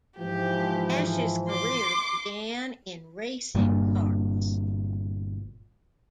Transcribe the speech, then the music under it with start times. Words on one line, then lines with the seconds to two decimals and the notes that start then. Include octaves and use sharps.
Ash's career began in racing karts.
0.18 G#2 E3 F3 G4
1.49 C6 D6
3.55 G1 G2 A#2